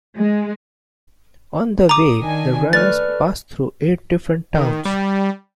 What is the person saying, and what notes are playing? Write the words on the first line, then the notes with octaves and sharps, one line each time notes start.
On their way the runners pass through eight different towns.
G#3
A#5 D6 D#6
D#3 D4 G#5
A3 B4 D5 F6 A6
D#3
G3